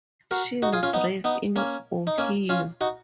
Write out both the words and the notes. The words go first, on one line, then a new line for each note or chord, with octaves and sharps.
She was raised in Ohio.
F#4 A#4
D#4 F#4
F4 G#4
C#4 F4
B3 D#4
B3 D#4
A#3 C#4
D#4
A#3 C#4
C#4 F4
D#4 F#4